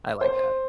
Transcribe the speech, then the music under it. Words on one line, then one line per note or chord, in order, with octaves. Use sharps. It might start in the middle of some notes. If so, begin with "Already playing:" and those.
I like that.
C5